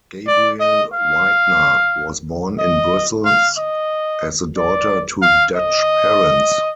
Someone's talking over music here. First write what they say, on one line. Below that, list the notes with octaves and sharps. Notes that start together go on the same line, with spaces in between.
Gabrielle Weidner was born in Brussels as the daughter to Dutch parents.
D5
D#5
F5
D#5
F5
D#5
D5
F5
D#5